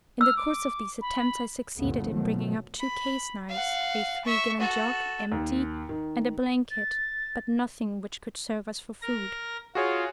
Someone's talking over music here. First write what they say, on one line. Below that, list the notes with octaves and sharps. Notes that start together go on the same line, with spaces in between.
In the course of these attempts I succeeded in bringing up two case-knives, a three-gallon jug, empty, and a blanket, but nothing which could serve us for food.
E6 F6
D6
B5
G1 D2 G2 A#2 A3 B3
B2 D#3 F3 F#3 A3
B5
F5 F#5
E5 C#6
F#4 A4
D#2
D#3
A6
A#4 A#6
F4 F#4 G#4 C#5